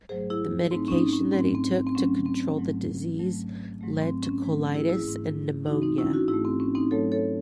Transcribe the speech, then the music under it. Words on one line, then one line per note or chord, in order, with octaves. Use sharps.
The medication that he took to control the disease led to colitis and pneumonia.
G#2 F#3 A3 G#4 C5
E4 G#4
G#2 F#3 A3 C4 D#4
C#4
C4 D#4
C#4
G#2 F#3 A3 C4
C4
C4
C4
G#2 F#3 A3 C#4
C4
G#2 F#3 A3
G#2 F#3 A3
G#2 F#3 A3
C4
C#4
G#2 E3 A3
E4 G#4
E4 G#4
G#2 E3 A3
G#2 E3 A3 D#4 F#4
C4 D#4
C#4 E4
D#4 F#4
G#2 E3 A3 E4 G#4
C4
C#4
C4 D#4
G#2 F#3 A3 A4 C#5
A4 C#5